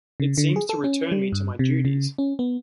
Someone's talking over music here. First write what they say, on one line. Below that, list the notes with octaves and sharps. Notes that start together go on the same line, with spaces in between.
It seems to return me to my duties.
C#3
D3
G#4
A4
C#4
G3
G2
C3
C#3
C#4
B3